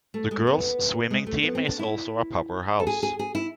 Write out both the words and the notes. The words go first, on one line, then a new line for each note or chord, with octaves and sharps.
The girls swimming team is also a powerhouse.
A3
G#3
B3
G#3
A3
B3
C4
D4
E4
A4
G#4
G#4
G#4
E4